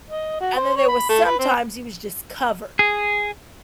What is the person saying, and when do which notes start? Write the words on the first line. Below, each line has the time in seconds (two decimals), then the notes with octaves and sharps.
And then there was sometimes he was just covered,
0.10 D#5
0.40 F#4
0.57 C5
0.76 C#5
0.88 B5
1.09 A3
1.25 B4
1.39 C4
2.79 G#4